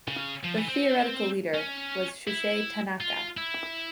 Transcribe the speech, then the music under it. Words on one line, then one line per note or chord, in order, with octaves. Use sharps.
The theoretical leader was Shusei Tanaka.
C#3
F3
E3
C4
C#4
E4
F4
E4